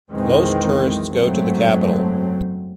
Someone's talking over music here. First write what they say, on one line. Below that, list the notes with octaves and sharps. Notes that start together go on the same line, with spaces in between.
Most tourists go to the capital.
B1 F2 D#3 E3 G#3 C4
F#1 G#2 F#3 A3 C4